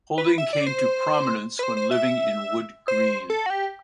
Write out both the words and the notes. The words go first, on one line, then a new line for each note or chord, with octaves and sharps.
Holding came to prominence when living in Wood Green.
B4
E5
D5
C5
B4
C5
C5
E5
C5
A4
F#4
G4